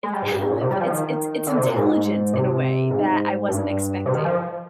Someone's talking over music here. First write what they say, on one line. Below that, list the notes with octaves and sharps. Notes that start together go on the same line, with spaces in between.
it's how do I put it's it's it's intelligent in a way that I wasn't expecting.
G#3
G3
G#2
G2
G#2
A#2
C3
G3
F3
D#3
D3
C3
A#2
G#2
C3
G#2
G2
C3
D#3
F3